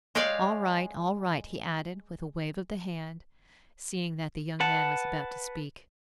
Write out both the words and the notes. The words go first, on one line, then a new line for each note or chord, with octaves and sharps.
"All right, all right!" he added, with a wave of the hand, seeing that the young man was about to speak.
G#3 G4 C#5 D5 F5
B4 F#5 A5